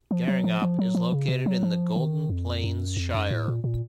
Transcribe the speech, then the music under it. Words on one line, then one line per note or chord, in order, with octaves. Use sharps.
Gheringhap is located in the Golden Plains Shire.
F3
F#3
F3
F3
F#3
F3
C#3
C3
F#3
F3
D#3
F2
F#2
F2
F#2
A2
A#2
A#2